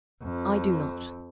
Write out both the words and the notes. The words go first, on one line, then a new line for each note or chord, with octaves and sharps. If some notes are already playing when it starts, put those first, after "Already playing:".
I do not.
F2